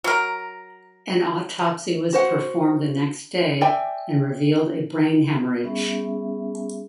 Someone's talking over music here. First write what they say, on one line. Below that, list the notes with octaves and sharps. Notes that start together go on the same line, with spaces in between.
An autopsy was performed the next day, and revealed a brain haemorrhage.
F#3 A#4
F#4 C5 F#5
D5 E5 G5 G#5
G3 B3 C#4 G#4 E5